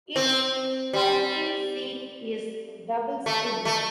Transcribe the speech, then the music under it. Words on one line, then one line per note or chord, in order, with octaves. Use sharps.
Its county seat is Double Springs.
C4
G3
A3
A3